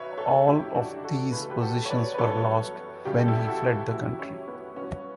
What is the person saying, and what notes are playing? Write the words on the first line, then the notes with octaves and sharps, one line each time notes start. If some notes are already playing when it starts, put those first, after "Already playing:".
All of these positions were lost when he fled the country.
Already playing: B1 B2 B4 C#5 E5
A4 C#5
F#2 D3 A3 E4 G4
D4 F#4
F#4 A4
D2 C#3 E3 B4
A4
G4 B4
F#4 A4
C#5
B4 D5
B4
F#2 E3 G3 B3 A4 C#5
C#2 C#3 G3 G4
A4
E4 G4
F#4 A4
F#2 E3 A3 E4 G4
C#4
B3
G2 F#3 B3 C#4